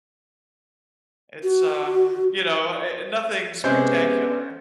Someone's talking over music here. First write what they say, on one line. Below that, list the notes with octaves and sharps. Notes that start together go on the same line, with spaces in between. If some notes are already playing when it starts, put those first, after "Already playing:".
it's, um, you know, uh uh, nothing spectacular,
F#4
C3 G#3 B3 C#4 C5 G6